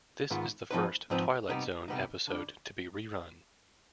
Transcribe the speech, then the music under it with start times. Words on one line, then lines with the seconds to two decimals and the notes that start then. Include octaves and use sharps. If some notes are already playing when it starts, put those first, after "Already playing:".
This is the first "Twilight Zone" episode to be rerun.
0.30 G#2 D#3 B3 F4
0.71 G#2 F3 C4 D#4 B4
1.10 G#2 F3 C4 D#4 B4
1.49 C3 G3 B3 D#4
1.88 C3 G3 B3 D#4
2.27 D3 G3 D4